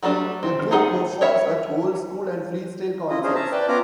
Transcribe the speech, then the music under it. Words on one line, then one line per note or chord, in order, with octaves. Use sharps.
The group performs at old-school and freestyle concerts.
F#3 G3 A3 D4
C4
G3 D#4 G#4 E5 F#5
A#4 C#5 E5
E4 F4 D#5
C#4 D4 G#4 A#4 C5
E5 A5 A#5
B4 D5 G5 A5
B3 C#4 F4 F5 A#5 D6